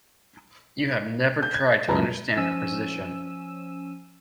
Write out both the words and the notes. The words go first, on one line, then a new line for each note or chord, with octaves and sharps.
You have never tried to understand her position.
G6
G#6
C#2 F#2 B4 A5 A#5
F3 C#4 E6 D#7 E7